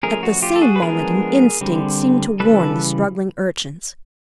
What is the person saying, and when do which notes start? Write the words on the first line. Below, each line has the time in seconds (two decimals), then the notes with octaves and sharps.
At the same moment an instinct seemed to warn the struggling urchins.
0.03 F3 A3 C#4 G#4 A#4
0.23 F#4
0.42 F4 G4
0.56 A4
0.62 F#4 G#4
0.76 B4
0.82 F3 G#3 B3 D4 G#4 A#4
1.61 D3 G3 C4
2.40 C#3 E3 G3 A4 B4